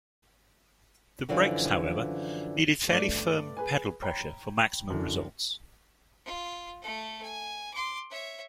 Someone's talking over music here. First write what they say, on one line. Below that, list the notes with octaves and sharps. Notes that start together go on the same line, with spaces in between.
The brakes, however, needed "fairly firm pedal pressure ... for maximum results".
F#2 D3 E3 F3
G2 A3 D5 D7
G#4 B4 G#5
C#5 G5 A#5 B5
F#2 D3 E3
F4
A3 A4
G#5
C6 D6
C#5 E5